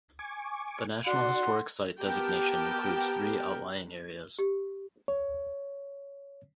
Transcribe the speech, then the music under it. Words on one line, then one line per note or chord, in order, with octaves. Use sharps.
The National Historic Site designation includes three outlying areas.
G#5 C#6 D6
F#4 D5 F#5 C6
B3 G4 A#4 G5 A5
G4
C#5